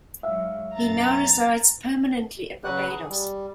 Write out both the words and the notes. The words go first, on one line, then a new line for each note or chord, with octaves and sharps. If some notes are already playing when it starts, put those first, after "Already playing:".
He now resides permanently in Barbados.
G#2 F#3 G#3 E5 F5
F#2 B2 A4 A#5 A6
C#3 F#3 F#4 B4 F#5 F#6
G#4
G3